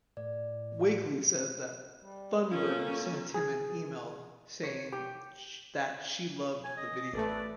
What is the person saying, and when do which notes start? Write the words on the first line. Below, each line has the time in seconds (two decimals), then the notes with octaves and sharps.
Wakely said that Thunberg sent him an email saying that she loved the video.
0.17 A2 D5
2.01 G3
2.51 A#3 C#4 F4 A4
3.34 G#4
4.63 C#5
4.92 G4
6.64 G#5
6.77 D#5
7.13 A1 A3 A4 B4 D5